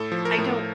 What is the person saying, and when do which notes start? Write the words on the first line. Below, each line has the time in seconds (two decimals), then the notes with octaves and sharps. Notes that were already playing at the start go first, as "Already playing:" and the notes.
I don't
Already playing: A2 A4
0.12 F3
0.25 A#4
0.38 A2